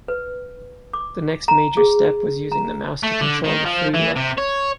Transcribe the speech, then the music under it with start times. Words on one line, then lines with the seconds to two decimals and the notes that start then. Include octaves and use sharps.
The next major step was using the mouse to control the free look.
0.08 B4
0.93 D6
1.48 A#5
1.77 G#4
2.52 A#5
3.03 A3
3.21 D3
3.44 D#3
3.66 F3
3.94 E3
4.16 C3
4.38 C#5